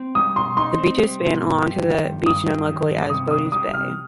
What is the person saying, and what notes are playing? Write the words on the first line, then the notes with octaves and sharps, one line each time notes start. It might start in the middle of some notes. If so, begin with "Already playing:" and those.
The beaches span along to the beach known locally as "Boatie's Bay".
Already playing: C4
G3 D#6
B2 C6
D#4 C6
C4
G3
B2
G2
G3
D#3
G2
G2 D#6
G3
D#3
G2
C3 D#6
D4 D#6
G3 D#6
C3 F6